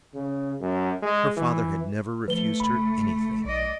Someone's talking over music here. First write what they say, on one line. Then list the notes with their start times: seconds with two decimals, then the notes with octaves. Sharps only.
Her father had never refused her anything.
0.14 C#3
0.61 F#2
1.02 G#3
1.37 E3
2.28 F3 A3 B4 G7
2.60 F#1 B5
3.44 B1 D5 D#5